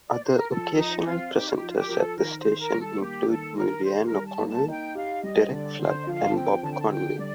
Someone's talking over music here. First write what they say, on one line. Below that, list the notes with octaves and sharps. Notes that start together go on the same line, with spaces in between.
Other occasional presenters at the station include Muireann O'Cononell, Derek Flood and Bob Conway.
D5
C5
A#4
F3 A4
F3 D#4
D#4
C4 F4
D#4 G4
F4
G4
F3
F4
G4
F3 A#4
A4
D#3 A#4
C5
D#3
A#4
G3
A4
A#3 G4
D#3 A4
D#3 A#4
G4 C5
A#4
G3
A5
A#3
A5
D#4 G5
G4 F5
G3 D#5
D3 D5
D3 C5
D#5
F3 F5
A5
C4 G5
D3 A5
G5
A5
D3 G5
G3 D5